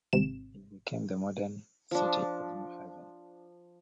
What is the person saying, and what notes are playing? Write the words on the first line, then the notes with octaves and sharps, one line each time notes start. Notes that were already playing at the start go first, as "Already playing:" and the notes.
It became the modern city of New Haven.
G#1 C3 E7
F3 D4